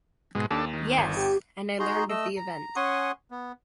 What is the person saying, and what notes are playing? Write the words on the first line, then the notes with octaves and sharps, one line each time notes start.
Yes... and I learned of the event.
G#2 B2 G#3
D#2 D4 A4
D#3
G1
G4
D#4 F#4 G#4 A#5 C6
A3 D#5 E6
A#5
C#4 F#5 G#5 C6 C#6 D#6
B3